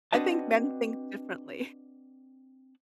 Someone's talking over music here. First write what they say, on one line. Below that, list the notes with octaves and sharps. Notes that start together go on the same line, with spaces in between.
I I think men think differently.
C4 D4 F#4 B4 D#5 A5